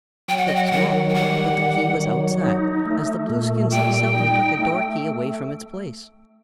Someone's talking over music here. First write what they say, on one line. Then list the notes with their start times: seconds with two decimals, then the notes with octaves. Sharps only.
It was locked, but the key was outside, as the Blueskins seldom took a door-key away from its place.
0.28 F#3 G5
0.37 F#5
0.47 D#5
0.55 F#5
0.67 G5
0.71 D#3 F#5
1.10 G5
1.14 G3 F#5
1.57 D#3
2.00 F#3
2.43 D#4
2.86 A3
3.29 A#2
3.72 G3 G5
4.15 D#4
4.57 A3